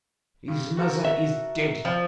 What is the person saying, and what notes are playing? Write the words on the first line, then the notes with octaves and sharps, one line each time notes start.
His mother is dead.
G2
F#4 A4 A#4
E5
F3